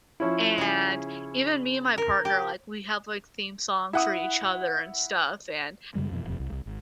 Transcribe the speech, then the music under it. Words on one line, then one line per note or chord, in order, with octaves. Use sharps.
and even me and my partner, like, we have, like, theme songs for each other and stuff and
F3 C#4 E4
C#3 G#4
A#4
G4
E4 F#5 D#6
F#2 C#3 G3 G#3
F2 B2 E3
D#1 F2 C3
C2
C2
G#1